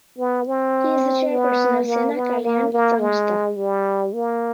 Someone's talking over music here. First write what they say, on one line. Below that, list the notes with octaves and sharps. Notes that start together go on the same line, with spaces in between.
He is the chairperson of Sena Kalyan Sangstha.
B3
C4
B3
A#3
B3
A#3
A#3
G#3
G3
A#3